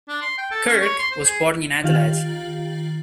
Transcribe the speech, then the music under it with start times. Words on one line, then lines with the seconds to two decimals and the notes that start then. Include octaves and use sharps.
Kirk was born in Adelaide.
0.08 D4
0.21 C6
0.38 G5
0.51 A4
0.67 C#4
0.82 C#5
0.99 C6
1.11 C5
1.25 G#4
1.84 D#3 F4 G4 F5 A6 F#7